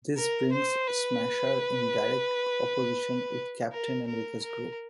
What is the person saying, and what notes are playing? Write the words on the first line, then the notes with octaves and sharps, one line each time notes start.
This brings Smasher in direct opposition with Captain America's group.
A#4
C5
B4
A#4
A#4
A#4